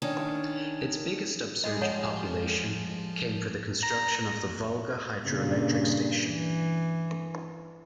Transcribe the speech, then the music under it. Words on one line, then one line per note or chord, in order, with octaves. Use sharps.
Its biggest upsurge of population came for the construction of the Volga Hydroelectric Station.
D#3 C#4 D4
G3 G#3 G#4 D#5
F3 C#5 D#5 F#5
A#5
G2 A#2 C#3
E3